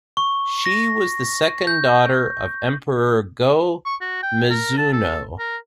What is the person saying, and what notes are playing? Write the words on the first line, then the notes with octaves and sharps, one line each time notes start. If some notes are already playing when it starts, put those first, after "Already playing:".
She was the second daughter of Emperor Go-Mizunoo.
C#6
A#6
G6
C#6
F#4
G5
A#4
A5
A4
A#4